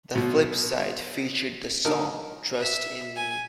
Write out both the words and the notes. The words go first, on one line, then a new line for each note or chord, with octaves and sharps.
The flip side featured the song Trust in Me.
B1 B2
D3 D#4 A#4
E5
G#5